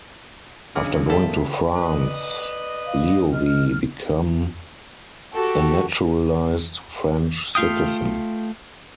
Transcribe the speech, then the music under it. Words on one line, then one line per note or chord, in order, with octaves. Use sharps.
After going to France, Loewy become a naturalised French citizen.
B1 C#3 D4 G#4 D6 F6
G3 A#3 C4 G#4 A4 E5
B4 D5 D#5
F5
D#5 F6
F#4 G4 A4
A3 F4 F5 G5 D#6